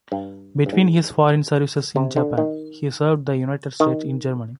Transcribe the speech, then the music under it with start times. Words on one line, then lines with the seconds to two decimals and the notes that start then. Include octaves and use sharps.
Between his foreign services in Japan, he served the United States in Germany.
0.12 G2
0.66 G2
0.73 G#2
1.96 C3
2.16 D3
2.38 D#3
3.80 D#3